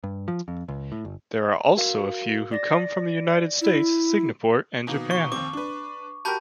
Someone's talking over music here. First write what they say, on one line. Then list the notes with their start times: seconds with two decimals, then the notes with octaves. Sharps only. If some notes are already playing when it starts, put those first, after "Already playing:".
There are also a few who come from the United States, Singapore, and Japan.
0.04 G2
0.28 F3
0.48 F2
0.68 C#2
0.92 A2
1.05 G1
1.77 F#4 A#4 F5
2.52 D5 A6 A#6
3.61 E4
4.87 B2 D#3 A#3
5.11 C#6
5.32 D#2 C4 D6
5.53 D4 B4
6.25 F#4 G4 A#4 A5 B5 G6